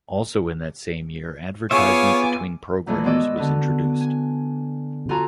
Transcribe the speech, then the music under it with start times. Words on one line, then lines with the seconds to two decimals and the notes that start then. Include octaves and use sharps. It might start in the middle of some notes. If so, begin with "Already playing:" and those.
Also in that same year advertisement between programmes was introduced.
1.71 B3 F4 G#4 C#5 E5 F5 G#5 D6
2.87 A#2 D#3 E3 G#3 A3
3.04 G#3 B3 F#4 D5 D#5 E6
3.37 D3 B3
4.01 G#5
5.09 F4 F#4 A4 G#5 A#5